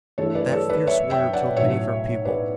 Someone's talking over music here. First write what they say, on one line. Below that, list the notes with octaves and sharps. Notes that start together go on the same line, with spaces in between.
That fierce warrior killed many of our people.
G2 E3 A3 E4 A4 C#5
B4 D5
A4 C#5
B4 D5
C#5 E5
E5 G5
D5 F#5
B1 A2 F#3 C#5 E5
B4 D5